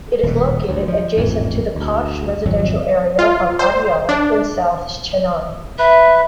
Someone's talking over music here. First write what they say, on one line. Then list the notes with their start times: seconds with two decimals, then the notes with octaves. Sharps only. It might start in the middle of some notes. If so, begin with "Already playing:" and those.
It is located adjacent to the posh residential area of Adyar in South Chennai.
0.23 D#1 B2
0.68 D2
0.88 F3
1.17 A1 F2 G#2
1.75 D2
2.45 G#1 F2 F#3
3.19 F4
3.59 C5
4.09 D4
5.79 B4 E5